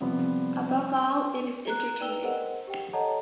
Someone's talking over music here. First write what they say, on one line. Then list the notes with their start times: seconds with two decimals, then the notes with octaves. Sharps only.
Above all, it is entertaining.
0.01 C3 F3 G3 B3
1.67 A#5 F#6
1.99 D#4 B4 D5 G5 E6 G7
2.23 G#4 A#4 C5 D#5 F#5
2.67 G4 G5
2.93 A4 C#5 D#5 F#5 A5 A#5